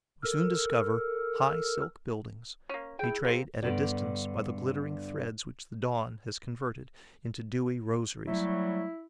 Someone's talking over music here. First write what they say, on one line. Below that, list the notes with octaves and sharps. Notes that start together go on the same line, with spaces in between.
We soon discover high silk buildings, betrayed at a distance by the glittering threads which the dawn has converted into dewy rosaries.
A4 A#4
A#3 C#4
E4 G#4 G5
A#3 C4
G2 D3 B3 D5
F#3 G3 A3 E4